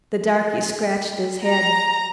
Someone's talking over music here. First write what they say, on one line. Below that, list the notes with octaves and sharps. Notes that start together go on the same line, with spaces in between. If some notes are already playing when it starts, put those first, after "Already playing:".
The darky scratched his head.
A#5